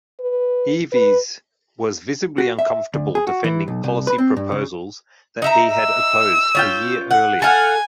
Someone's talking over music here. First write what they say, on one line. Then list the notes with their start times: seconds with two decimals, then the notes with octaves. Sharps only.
Eves was visibly uncomfortable defending policy proposals that he had opposed a year earlier.
0.20 B4
0.92 B4
2.38 F#4
2.59 E5
2.94 D2
3.15 G#4
3.27 F#4
3.44 E3
3.68 B1
3.84 C2
4.07 B4
4.18 C4
4.37 G2
4.52 C#3
5.42 D#4 E5 A#5
5.75 E6
6.55 C#4 F4 G5
7.11 F#5
7.42 A4 F5 F#5 G#5